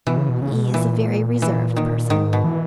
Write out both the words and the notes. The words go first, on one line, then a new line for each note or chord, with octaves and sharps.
He is a very reserved person.
B2 E3
C#3
B2
C#3
B2
A#2 E3
E3
D#3
G#2 D#3
B2
E3